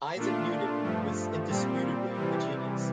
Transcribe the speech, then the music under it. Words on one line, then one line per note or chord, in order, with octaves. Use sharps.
Isaac Newton was indisputably a genius.
A#2 A3 D4 F4
G2 F3 A3
A#2 G3 C4
C3 E3 G3